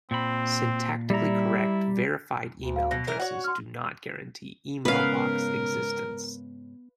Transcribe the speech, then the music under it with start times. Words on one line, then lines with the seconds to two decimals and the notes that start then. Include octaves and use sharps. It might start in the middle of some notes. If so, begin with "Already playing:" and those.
Syntactically correct, verified email addresses do not guarantee email box existence.
0.11 A#2 C4 B5
1.10 G3 E4 A#5
2.58 D2
2.76 F5
2.91 B2 A#6
3.07 E3 A#4
3.20 F#4 C#5 F#5
3.44 C6 F6
4.85 G#2 C#3 B3 C#4 A#4 B4 F5